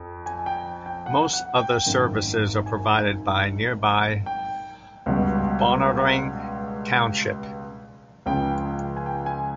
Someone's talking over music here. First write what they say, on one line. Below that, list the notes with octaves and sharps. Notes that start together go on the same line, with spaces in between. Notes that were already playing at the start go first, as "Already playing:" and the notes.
Most other services are provided by nearby Balnarring township.
Already playing: F2
G#5
G5
G5
F#5
F#5
G5
G#1 F#2 D#3
G#5
G5
C#2 B2 G3
C#2 C#3 F3 G5
G#5
G5
G#5